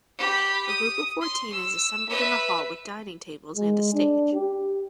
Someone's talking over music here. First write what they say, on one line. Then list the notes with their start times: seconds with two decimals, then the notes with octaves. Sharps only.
A group of fourteen is assembled in a hall with dining tables and a stage.
0.17 G4 B5
0.67 D#6
1.21 C6
1.52 E6
2.08 B4 E5
3.56 G#3
3.94 D4
4.33 G4